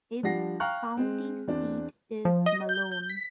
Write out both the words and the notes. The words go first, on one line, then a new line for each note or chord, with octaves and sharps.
Its county seat is Malone.
F3 G3 D4 F#5 A#6 C7
F5 G5 A#5 C#6 F6 F#6
G#3 C4
E2 C4 D4
F3
D#5
G6
G6
B6